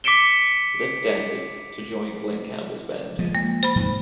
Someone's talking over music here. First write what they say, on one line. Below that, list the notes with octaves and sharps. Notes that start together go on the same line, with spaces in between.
He left Danzig to join Glenn Campbell's band.
D6 B6 C#7 D7 E7 G7
F3 G#3
A#3
C5 B5
F2 G#2